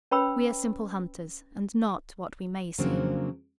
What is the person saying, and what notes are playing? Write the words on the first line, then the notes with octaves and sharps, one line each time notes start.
We are simple hunters, and not what we may seem.
C#4 B4 C#5 G5 B5 E6
F2 C#3 F#3 A#3 C4 D4